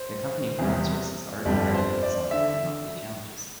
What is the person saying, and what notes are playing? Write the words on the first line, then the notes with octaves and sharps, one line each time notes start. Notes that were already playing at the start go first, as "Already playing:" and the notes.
The company crowdsources art and graphic design through monthly challenges.
Already playing: C5
E2 C3 G3
G1 F2 D3 G3 D5
C5
D5
D3 E5